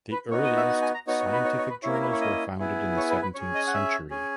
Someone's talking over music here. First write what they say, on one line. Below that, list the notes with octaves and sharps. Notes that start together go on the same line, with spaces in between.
The earliest scientific journals were founded in the seventeenth century.
B4
B3 D#4 F#4 C#5
D#5
E5
F#5
G#5
A#5
B3 D#4 F#4 C#5
C#5
B4
C#5
C#5
B4
A#3 C#4 E4 C#5
A#4
B4
C#5
D#5
B3 E4 G#4
C#5
B4
B4
C#4 G#4 C#5
D#5
F#5
E5
C#4 G#4